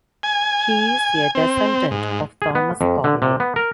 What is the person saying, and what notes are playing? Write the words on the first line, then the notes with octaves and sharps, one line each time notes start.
He is a descendant of Thomas Cornell.
G#5
C4
G#2
G#4
B3
F2
D3
C3
B3
A#4